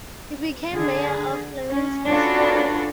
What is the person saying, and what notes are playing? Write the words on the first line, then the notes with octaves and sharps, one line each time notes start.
He became mayor of Leamington Spa.
D3 G#4
C#4
C#4 D4 F4 F#4 A4 B4